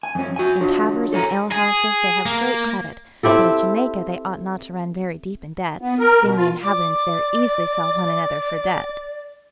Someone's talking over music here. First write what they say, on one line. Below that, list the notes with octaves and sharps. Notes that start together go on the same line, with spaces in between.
In taverns and alehouses they have great credit; but at Jamaica they ought not to run very deep in debt, seeing the inhabitants there easily sell one another for debt.
G#5
F2 C#4
F#4 G#5
D4 F4 F#4 C#5
A4 C#5 G#5 A#5
G#4
A#3
C4 E4 G4 A4
B3
A#4
B2
F4
D5 D6